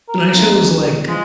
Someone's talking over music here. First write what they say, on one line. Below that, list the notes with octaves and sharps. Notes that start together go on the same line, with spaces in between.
And I chose, like,
A#4
G1
E1
F3 G#3